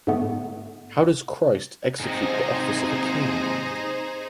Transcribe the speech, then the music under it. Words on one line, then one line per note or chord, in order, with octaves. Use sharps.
How does Christ execute the office of a king?
G#2 D3 A3 B3
G#2 C3 D#4 G#4 C5